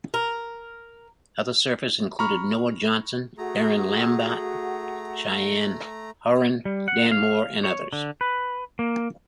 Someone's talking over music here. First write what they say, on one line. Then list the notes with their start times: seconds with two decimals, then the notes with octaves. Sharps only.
Other surfers included Noah Johnson, Aaron Lambert, Cheyne Horan, Dan Moore, and others.
0.14 A#4
2.19 A#5 B5 C#6 F6
3.38 A3 F#4 G#4 F#5 A#5
6.65 G3
6.88 F#5
7.11 F5
7.64 C#5
7.93 D3
8.21 B4
8.79 A#3